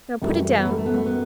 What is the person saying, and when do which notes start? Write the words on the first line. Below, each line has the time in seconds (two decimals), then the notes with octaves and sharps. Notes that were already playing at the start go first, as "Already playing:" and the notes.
Now put it down.
0.22 F#2 E3 G3 A3
0.36 A3
0.49 A3
0.58 B3
0.65 A3
0.78 A3
0.86 B3
0.94 A3
1.06 B3